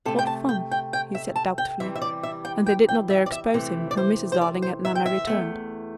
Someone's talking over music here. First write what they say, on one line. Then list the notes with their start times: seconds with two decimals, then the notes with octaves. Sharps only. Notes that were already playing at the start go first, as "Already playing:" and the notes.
"What fun!" he said doubtfully, and they did not dare expose him when Mrs. Darling and Nana returned.
0.05 C3 A3 A4
0.19 G5
0.27 A5
0.49 G5
0.71 G5
0.93 G5
1.15 E5
1.36 A5
1.58 G5
1.80 C3 E3 G3 E5
1.96 E5
2.02 D5
2.23 E5
2.45 G5
2.66 G5
2.89 G5
3.10 E5
3.26 D5
3.32 E5
3.54 C3 E3 A3
3.91 D5
3.97 C5
4.32 C5
4.41 D5
4.62 C5
4.85 E5
4.95 G5
5.06 E5
5.27 E2 C3 A3